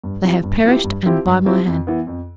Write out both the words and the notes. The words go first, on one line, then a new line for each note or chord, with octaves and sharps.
They have perished, and by my hand.
G2
F3 C4 E4 G4
G2
F3 C4 E4 G4
G2
F3 C4 E4 G4
G2
F3 C4 E4 G4
F2
E3 B3
F2